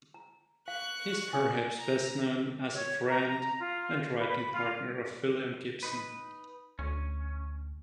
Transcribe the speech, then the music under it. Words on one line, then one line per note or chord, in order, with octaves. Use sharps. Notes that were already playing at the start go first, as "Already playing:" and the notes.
He is perhaps best known as a friend and writing partner of William Gibson.
A#5
F5 C#6 F#6
G#5 D6 D#6
A#5
C#5
A#5
A#5
F4
B4
B5
F4
D#4 B4
D2 C#4